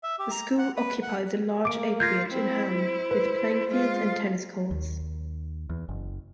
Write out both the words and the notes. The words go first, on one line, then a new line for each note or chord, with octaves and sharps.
The school occupies a large acreage in Ham, with playing fields and tennis courts.
E5
G4
A#5
F#5
B4
F#5
A#3 D6 D7
F4 G6 G#6 A#6
C4 E4
C5
B4
G#3 F4
D#2
E2
F#1